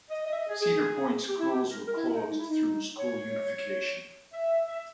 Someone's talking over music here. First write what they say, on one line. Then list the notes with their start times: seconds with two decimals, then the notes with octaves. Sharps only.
Cedar Point schools were closed through school unification.
0.10 D#5
0.27 D#5
0.33 E5
0.38 D#5
0.49 G#4
0.61 G#4
1.28 G4
1.40 E4
1.51 G4
1.71 A#4
1.88 A#4
1.97 E4
2.14 D#4
2.30 D#4
2.40 E4
2.49 D#4
2.98 C#5
4.34 E5
4.68 E5